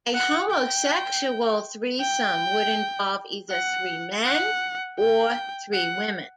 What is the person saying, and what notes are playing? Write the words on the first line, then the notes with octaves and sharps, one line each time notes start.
A homosexual threesome would involve either three men or three women.
F#5
G5
G5
F#5
F#5
G5
F#5